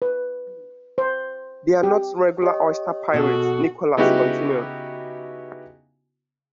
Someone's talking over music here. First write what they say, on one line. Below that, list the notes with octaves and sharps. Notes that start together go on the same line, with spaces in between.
They are not regular oyster pirates, Nicholas continued.
B4
C5
G4
G4 C#5 D#5
B2 F#4 G#4 A4
C#3 B3 D#4 E4 F#4 G4